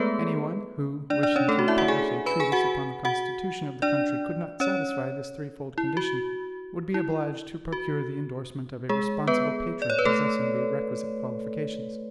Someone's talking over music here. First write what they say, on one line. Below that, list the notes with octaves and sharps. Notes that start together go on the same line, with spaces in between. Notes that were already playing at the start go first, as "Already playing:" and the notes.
Any one who, wishing to publish a treatise upon the constitution of the country, could not satisfy this threefold condition, would be obliged to procure the endorsement of a responsible patron possessing the requisite qualifications.
Already playing: G#3 A3 B3 G#4 A4 B4
D4 D5
D4 D5
C#4 C#5
A3 A4
F#4
E4 E5
F#4 F#5
G#4 G#5
B4 B5
G#4 G#5
F#4 F#5
F#4 F#5
D4 D5
C#4 C#5
E4
F#4
E4
F#4
G#3 G#4
B3 B4
D5
C#5
B4
A3 A4